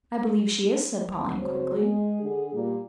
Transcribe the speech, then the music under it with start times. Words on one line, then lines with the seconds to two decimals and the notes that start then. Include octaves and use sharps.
"I believe she is," said Pauline quickly.
1.39 F#2 C#3 F#3 C4 C5 C#5
1.73 G#3 G#4
2.22 D3 G#4
2.52 A#2 G3 A#3